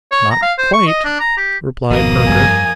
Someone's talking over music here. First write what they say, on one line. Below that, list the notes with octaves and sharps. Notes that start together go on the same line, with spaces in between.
'Not quite,' replied Perker.
C#5
A#5
F5
C5
C#6
D#5
D4
A#5
G4
G#1 F2 B2 A#3 D#6
G2 G#5